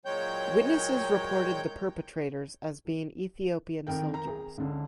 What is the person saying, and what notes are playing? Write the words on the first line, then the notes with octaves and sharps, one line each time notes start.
Witnesses reported the perpetrators as being Ethiopian soldiers.
A#2 F#3 G#3 C#5 G5 G6
F2 D#3 A#4 G5
A#5
G#4
C#2 D3